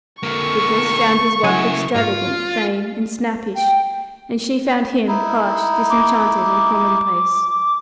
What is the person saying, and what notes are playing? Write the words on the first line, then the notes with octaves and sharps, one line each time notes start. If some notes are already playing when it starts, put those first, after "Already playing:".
Vickers found his wife extravagant, vain, and snappish, and she found him harsh, disenchanted, and commonplace.
D3 A#3 C#6
C#3 F#3 E4 F#5 G#5
G#2 F4 F5
G5
D#4 E4
D6